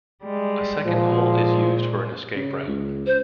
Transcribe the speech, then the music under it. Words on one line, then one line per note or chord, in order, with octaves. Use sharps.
A second hole is used for an escape route.
G3 G#3
A#2 F3 G#3
C#3
C#2
C5